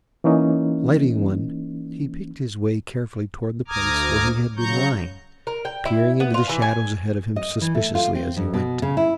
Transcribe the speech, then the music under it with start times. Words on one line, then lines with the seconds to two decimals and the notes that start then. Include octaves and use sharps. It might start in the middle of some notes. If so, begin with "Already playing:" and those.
Lighting one he picked his way carefully toward the place where he had been lying, peering into the shadows ahead of him suspiciously as he went.
0.24 E3 A#3 C#4 D#4
3.68 D2 A#5 D6 D#6 F6 G#6
4.56 C#3 F#3 A#5 C#6 G6
5.47 A#4
5.65 G5
5.85 E4
6.20 B3
6.34 F4
6.49 E3
6.62 G#5
7.36 D#5
7.61 E3
7.75 A3
7.95 F4
8.15 C4
8.36 F2
8.54 B2
8.82 C#3
8.97 E4